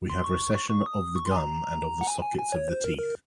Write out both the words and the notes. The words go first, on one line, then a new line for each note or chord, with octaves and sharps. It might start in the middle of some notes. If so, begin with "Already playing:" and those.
We have recession of the gum and of the sockets of the teeth.
C6
C#6
C#6
C#6
D#6
C#6
C6
G#5
A#5
F#5
G#5
G#5
G#5
C#5
C5
A#4
A#4